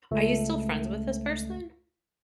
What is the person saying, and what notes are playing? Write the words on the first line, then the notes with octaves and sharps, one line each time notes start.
Are you still friends with this person?
C#2 A3